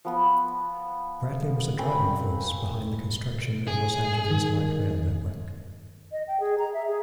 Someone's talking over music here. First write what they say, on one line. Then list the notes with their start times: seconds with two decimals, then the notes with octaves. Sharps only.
Bradley was a driving force behind the construction of Los Angeles' light rail network.
0.05 F3 B3
1.78 C4 C#4 A#4 B4
3.67 G#4
4.31 D#3
6.12 D#5
6.28 G5
6.40 G#4
6.58 A#5
6.74 E5
6.88 G#4